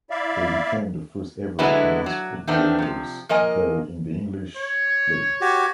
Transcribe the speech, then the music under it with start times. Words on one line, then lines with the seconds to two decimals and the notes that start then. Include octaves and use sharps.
They became the first ever Chinese footballers to play in the English leagues.
0.10 E4 D5 E5 F5
1.59 D3 F#3 G#3 A3 B3 E4
2.06 F#3
2.48 D#3 A3 B3 C4 D4
2.79 C3 F3
3.29 F3 A#3 A#4 D#5 G#5
4.56 C#5
5.41 F#4 G4